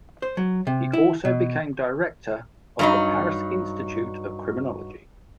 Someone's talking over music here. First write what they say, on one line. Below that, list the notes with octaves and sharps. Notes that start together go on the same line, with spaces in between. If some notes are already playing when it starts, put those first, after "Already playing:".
He also became director of the Paris Institute of Criminology.
C5
F#3
C3
E4
B2
G2 F#3 D#4